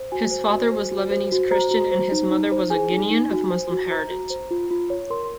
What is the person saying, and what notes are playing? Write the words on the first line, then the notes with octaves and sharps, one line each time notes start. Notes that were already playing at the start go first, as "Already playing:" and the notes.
His father was Lebanese Christian and his mother was a Guinean of Muslim heritage.
Already playing: C5
F#4 G#5
C5
F#4
C5
F#4
C5
F#4
C5 A#5
F#4
C5
D#4
D#4
C5
G#4 G#5
D#4
D#4
F#4
C5
F#4
C5 A#5
F#4
C5
F4
F4
C#5
A#4 C6